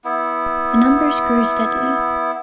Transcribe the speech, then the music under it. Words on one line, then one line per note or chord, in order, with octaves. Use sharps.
The numbers grew steadily.
B3 E4